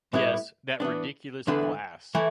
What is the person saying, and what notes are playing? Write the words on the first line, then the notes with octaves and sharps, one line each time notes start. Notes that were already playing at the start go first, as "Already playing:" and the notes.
Yes, that ridiculous glass.
A2 G3 B3 E4
E3 B3 D4
E2 D3 A3 D4 B4
E3 A3 E4